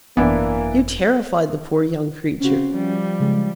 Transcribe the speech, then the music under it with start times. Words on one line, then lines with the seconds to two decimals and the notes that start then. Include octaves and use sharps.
You terrified the poor young creature.
0.17 G#1 F#2 E3 A#3 B3 D4 E4
2.41 C#3 C4 C#4 F#4
2.73 F3 G3
3.20 C#3 G#3